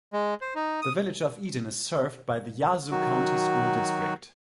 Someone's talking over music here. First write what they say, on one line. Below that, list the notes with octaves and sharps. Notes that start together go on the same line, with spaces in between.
The Village of Eden is served by the Yazoo County School District.
G#3
C5
D#4
D#6
D#3 F#3 F#4